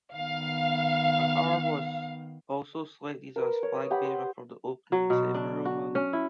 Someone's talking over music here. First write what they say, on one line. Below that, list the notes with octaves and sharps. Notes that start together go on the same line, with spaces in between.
Ahar was also selected as flag bearer for the opening ceremony.
D#3 B3 F5
A#4 B4
C#5
B5 D#6
G4 F#5 B5
C6
F#3
B2
D4
F#4
C#4
E4